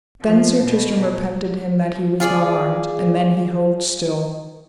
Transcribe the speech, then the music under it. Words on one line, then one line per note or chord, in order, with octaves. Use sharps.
Then Sir Tristram repented him that he was not armed, and then he hoved still.
F3
B2
F4 G#4 C#5 D5